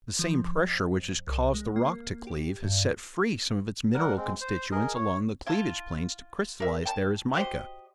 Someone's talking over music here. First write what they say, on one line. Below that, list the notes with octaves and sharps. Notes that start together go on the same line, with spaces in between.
The same pressure which has caused the rock to cleave has set free some of its mineral constituents along the cleavage planes to crystallize there as mica.
F3
F2
C2
G#3
A#3
G4
G2
G3 A#4 F#5
G#3 C4
C5
G#4 A#4 D#5
C#5
E4 F4 A5
A#4 E5
G5 A5
F#4 G4 C5 D#5